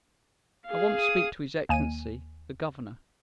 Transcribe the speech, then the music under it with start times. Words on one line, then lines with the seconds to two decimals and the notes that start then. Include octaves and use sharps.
"I want to speak to his Excellency, the governor."
0.66 G#4 F5
0.97 D#6
1.69 D#2 G#5 D#7